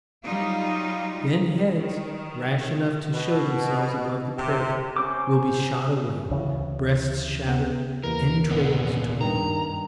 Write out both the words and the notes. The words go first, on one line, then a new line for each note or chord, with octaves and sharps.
Then heads, rash enough to show themselves above the parapet, will be shot away, breasts shattered, entrails torn.
F#3 G3 D#4 F4
D#3
B2
C3
C#4 C5 D6
D2 C#3 E3
B3
D#2 E3 A#4
A#2 B3
G2 D#3 A#5